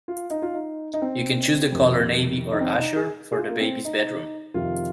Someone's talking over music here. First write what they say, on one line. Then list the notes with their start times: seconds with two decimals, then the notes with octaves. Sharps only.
You can choose the colour Navy or Azure for the baby's bedroom.
0.08 F4
0.30 D#4
0.42 F4
0.54 D#4
0.94 D#4
1.02 C4
1.72 F2 C3 D#3
2.52 D#4
2.61 C4
2.79 D#4
2.96 G#4
3.32 G#4
3.38 F4
3.49 A#3
3.61 C4
3.85 D#4
4.54 F2 C3 D#3 F4